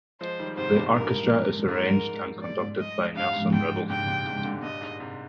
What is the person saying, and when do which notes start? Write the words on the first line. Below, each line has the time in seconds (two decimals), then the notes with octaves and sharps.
The orchestra is arranged and conducted by Nelson Riddle.
0.21 F3 G#3 C5
0.39 D#3 G3
0.57 G#2 C3 C5
0.76 G2 A#2
0.94 A#4
1.68 G#2 A#4
2.42 D5
2.79 D#5
3.15 G2 F5
3.52 G#2 G5
3.89 G2 A#2 G5
4.07 G2 A#2
4.26 G#2 C3
4.44 A#2 D3
4.62 G2 A#2 D#5
4.81 G#2
5.00 G#2 C3